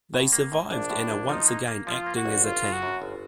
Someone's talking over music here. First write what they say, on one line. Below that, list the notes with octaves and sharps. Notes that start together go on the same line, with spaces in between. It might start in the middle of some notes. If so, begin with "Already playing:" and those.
They survived and are once again acting as a team.
A2
A#3
A2
A#1 D4
A2
A#1
F3 D#4
A#3
A#3
F3 F4
A#3
F#4
A#1
G1 F4
C#3
F#4
F#2
G1